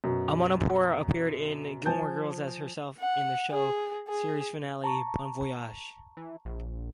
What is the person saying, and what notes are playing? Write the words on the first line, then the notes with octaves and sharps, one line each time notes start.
Amanpour appeared in "Gilmore Girls" as herself in the show's series finale, "Bon Voyage".
F#2 B2
F3 G#5 A5 G6
F#5
G#4
G#4
A5 A#5 C#6
E3
A#1